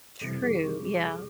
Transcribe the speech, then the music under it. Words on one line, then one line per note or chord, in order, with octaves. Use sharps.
True, yeah.
F2 C3 E3 G3 A4
G#4
G4
G#4
A4